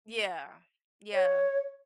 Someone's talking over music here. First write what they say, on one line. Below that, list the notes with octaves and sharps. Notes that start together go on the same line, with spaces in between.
Yeah, yeah.
C#5